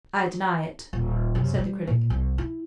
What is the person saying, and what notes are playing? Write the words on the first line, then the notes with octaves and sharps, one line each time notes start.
"I deny it," said the Critic.
D#1
F#2 C3
G3
A#2
C2
E4